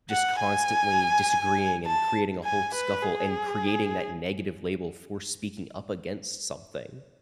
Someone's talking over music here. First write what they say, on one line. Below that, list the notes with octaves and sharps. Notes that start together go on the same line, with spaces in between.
just constantly disagreeing and creating a whole scuffle and creating that negative label for speaking up against something,
F#5
G#5
A5
G#5
B4
G#4